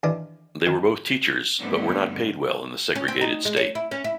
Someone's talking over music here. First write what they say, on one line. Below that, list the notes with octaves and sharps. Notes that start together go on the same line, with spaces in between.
They were both teachers, but were not paid well in the segregated state.
D#2 D#3 E3 D4 D#6
D#3
G2 D3 D#3 A3 B3 C4
C#4
C4
D#4
G#3
C#5
E4
C#4
E4